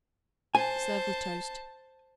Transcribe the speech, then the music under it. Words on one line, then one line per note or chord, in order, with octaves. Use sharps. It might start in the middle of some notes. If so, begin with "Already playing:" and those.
Serve with toast.
C5 G#5 A5